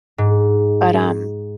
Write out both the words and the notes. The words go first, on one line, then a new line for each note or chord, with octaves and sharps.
but, um,
G#2